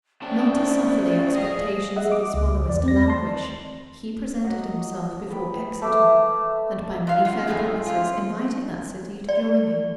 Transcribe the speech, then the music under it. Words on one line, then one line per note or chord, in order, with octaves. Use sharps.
Not to suffer the expectations of his followers to languish, he presented himself before Exeter; and by many fair promises invited that city to join him.
A3 C#4 C5 D5 G5 A5
G#4 D#5 F5
G#4 D#5 E5 F#5
D6
C#2
E2 D5
C4 A#6
D5 A5 C6
F#3 D#5 F#5 D#6
B4 G5 B5
A3 E5 D6 E6
G#3 F5
C#3 F4 F#5
F#2 A2 A3 C4 C#4 G#4
F#2 F4
D5